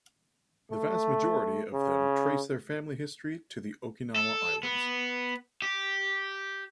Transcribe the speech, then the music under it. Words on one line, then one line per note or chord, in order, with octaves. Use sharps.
The vast majority of them trace their family history to the Okinawa Islands.
A3
C#3
A4
B3
G4